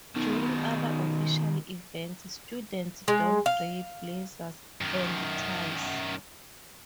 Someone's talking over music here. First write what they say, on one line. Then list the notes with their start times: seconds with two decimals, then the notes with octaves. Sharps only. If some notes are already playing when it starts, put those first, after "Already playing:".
During other official events, students don grey blazers and ties.
0.16 B2 D#3
3.08 G#3
3.46 F5
4.81 F#2 D#3